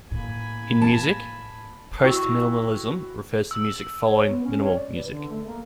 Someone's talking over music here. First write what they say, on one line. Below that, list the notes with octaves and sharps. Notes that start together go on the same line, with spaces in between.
In music, "postminimalism" refers to music following minimal music.
A2 A#3 G#5 B5
A5
E4 F#4 G5 C#6 E6
E6
C#5
C#5
B3
C#4
C#5
D5
B4
D3
A3
A#3